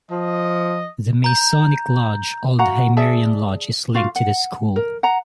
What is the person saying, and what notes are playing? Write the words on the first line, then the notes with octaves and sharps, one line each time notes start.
The Masonic lodge Old Hymerian Lodge is linked to the school.
F3 D#5
A#5 G6
F#4 F5 F#5 A#5
G#4 D5 E5 A5
F4 F#4 F5
F#5
A#4
F#5 A#5